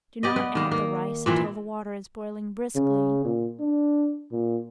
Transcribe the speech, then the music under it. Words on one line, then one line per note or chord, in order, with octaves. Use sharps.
Do not add the rice until the water is boiling briskly.
G4 D5 D#5
B3
D#3 A#3
A#3
A#2 E3 C4
C#3
A#2
D4
A#2